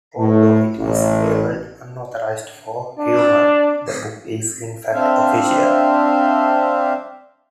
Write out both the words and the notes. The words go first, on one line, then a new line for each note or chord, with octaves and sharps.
Although it is labeled "Unauthorized" for humor, the book is in fact official.
A2
A1
D4
C4 D4 C5 E5 F5